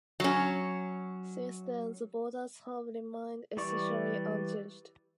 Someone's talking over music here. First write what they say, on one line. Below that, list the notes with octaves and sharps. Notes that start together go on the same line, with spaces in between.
Since then, the borders have remained essentially unchanged.
F#3 C#4
E3 G3 G4 D5 C#6